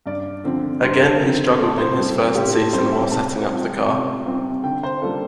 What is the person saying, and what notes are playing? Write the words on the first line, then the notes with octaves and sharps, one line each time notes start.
Again he struggled in his first season while setting up the car.
G2 D5
D3 F3 C4
G2 C5
A#4
A4
A#4
D3 F3 C4
A2 A4
C5
G3 C4 A4
A2 G4
A4
G3 C4 C5
E5
C3 A5
G3 C4 F4
C3
G3 C4 F4
D3 G5
C5
G3 A#3 D4 F4 A4